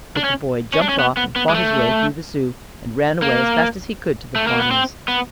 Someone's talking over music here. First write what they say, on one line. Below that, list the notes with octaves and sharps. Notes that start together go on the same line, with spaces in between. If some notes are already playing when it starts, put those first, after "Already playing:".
But the boy jumped off, and fought his way through the Sioux, and ran away as fast as he could to the Pawnees.
D4
C#4
C#4
D4
C#4
B3
B3
B3
G#3
A3
A#3
A3
A#3
B3
C4
B3